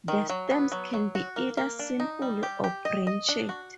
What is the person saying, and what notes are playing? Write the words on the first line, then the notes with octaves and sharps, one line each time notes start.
The stems can be either simple or branched.
D#3
F#3
B3
F#3
F#3
F#4
A#3
A#3
D4
D#4
G3
G4
G4
D#5
D#5
D4
F#4